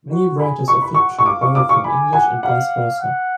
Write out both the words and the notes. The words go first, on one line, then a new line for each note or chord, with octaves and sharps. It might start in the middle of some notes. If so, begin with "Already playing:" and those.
Many writers of fiction borrow from English and vice versa.
F#4
G#4 B5
B4 C#6
B5
F#5 C#6
C#6
F5 D6
C#6
D6
C#6
G#5 B5
F#5 G#5
F5 F#5
F#5